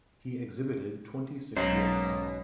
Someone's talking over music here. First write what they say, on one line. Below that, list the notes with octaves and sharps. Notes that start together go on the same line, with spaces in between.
He exhibited twenty-six works.
B1 G#2 B2 A#3 C#4 C5